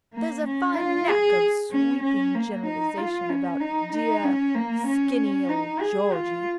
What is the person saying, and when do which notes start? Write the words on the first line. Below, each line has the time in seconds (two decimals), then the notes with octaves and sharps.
There's a fine knack of sweeping generalisation about deah skinny old Georgey.
0.14 A#3
0.46 C#4
0.76 F4
1.08 G#4
1.71 C#4
2.02 C#4
2.35 A#3
2.66 D#4
2.97 F4
3.29 C#4
3.60 D#4
3.92 D#4
4.24 C#4
4.55 A#3
4.87 C#4
5.49 D#4
5.80 G#4
6.13 F4